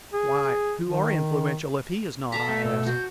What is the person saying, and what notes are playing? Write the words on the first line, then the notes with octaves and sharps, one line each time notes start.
"Why, who are influential if he is not?" I asked.
G#4
D#3
A4 F5 A#5 B6
A3
B2 E6
F#4 G6